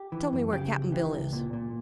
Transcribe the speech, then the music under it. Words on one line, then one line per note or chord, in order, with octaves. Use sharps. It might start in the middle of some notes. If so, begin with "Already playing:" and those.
"Tell me where Cap'n Bill is."
Already playing: G4
E3
F#2
C#3 G4
C#2
E3
C#2
A#2
A#2